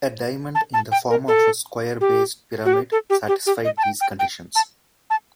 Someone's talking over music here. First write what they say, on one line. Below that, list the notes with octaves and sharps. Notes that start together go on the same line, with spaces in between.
A diamond in the form of a square-based pyramid satisfied these conditions.
A5
A5
G5
A#4
A4
G4
F#4
G4
A4
G4
G4
G4
D#5
A5
G5
G5
G5
A5
A5